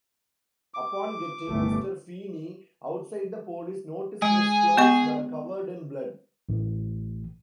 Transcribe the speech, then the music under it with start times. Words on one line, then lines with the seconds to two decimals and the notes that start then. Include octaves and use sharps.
Upon getting Mr. Feeney outside the police noticed his clothes were covered in blood.
0.74 D6
1.48 G1 C2 A3
4.22 G#3 G#4
4.78 B3 D#5 C#6
6.49 A1